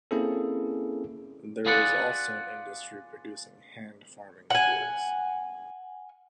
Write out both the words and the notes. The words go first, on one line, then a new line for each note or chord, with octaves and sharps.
There is also an industry producing hand farming tools.
A#3 C4 C#4 E4 G#4 A4
F4 G#4 B4 D5 F#5
F#5 G#5